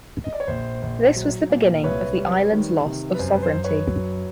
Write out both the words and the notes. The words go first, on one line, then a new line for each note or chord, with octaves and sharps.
This was the beginning of the island's loss of sovereignty.
D#5
D5
C#5
A#1 C5
A#1
F#3
A#2
C2 B4 C#5
G3
D#3
C3
B4
F#2 C5
B4
C5
F#2
B4 C#5
F#3